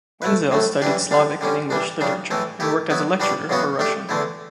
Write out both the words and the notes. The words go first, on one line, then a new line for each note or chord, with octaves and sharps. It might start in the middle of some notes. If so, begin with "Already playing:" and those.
Wenzel studied Slavic and English literature and worked as a lecturer for Russian.
A3 E4 B4
A2 F#3 A3
F#2 E3 G3 D4 G4
D3 G3 D4
D3 G3 C#4
E3 G3 D4
F#2 C#3 G3 D4
A2 E3 A3 E4
A3 E4 G4
F#3 B3 E4
G3 D4 F#4 B4 D5
E2 C#3 F#3 B3 F#4
A3 D4 G4
E2 D3 A3 E4